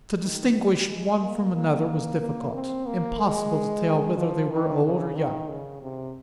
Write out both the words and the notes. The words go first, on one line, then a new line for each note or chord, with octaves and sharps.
To distinguish one from another was difficult; impossible to tell whether they were old or young.
D#3
G3
G#3
A#3
A#3
A#3
C4
A#3
G#3
F3
D#3
C#3
D#3
C#3
C3